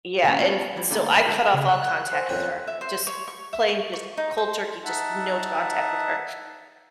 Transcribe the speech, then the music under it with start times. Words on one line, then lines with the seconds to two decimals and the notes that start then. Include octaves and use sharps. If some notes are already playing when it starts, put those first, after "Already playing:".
yeah, and s so I cut off all contact with her, just plain just cold turkey, just no t contact with her.
0.24 D3 D#3 G3 G#3 A#3 C#4
0.39 B3 C#4 F4
0.76 F3 G3 E4 B5
0.90 D3 G3 A3 A#3 D#4
1.26 D3 G#3 F#4 A#4
1.54 C#3
1.69 F#6
2.13 C5 F5 G#5
2.29 F2 C4 C#4
2.67 E5
2.81 C5
3.07 C#5
3.28 C#6
3.53 E5
3.68 C#6
3.93 C#6
4.17 D#4
4.38 C5
4.85 D#4 E5 F#5 A5